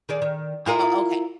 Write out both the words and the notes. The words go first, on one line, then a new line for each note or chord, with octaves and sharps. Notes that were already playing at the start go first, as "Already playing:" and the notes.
Oh, okay.
D#3 G#4 D5
D#3
E4 F4 A#4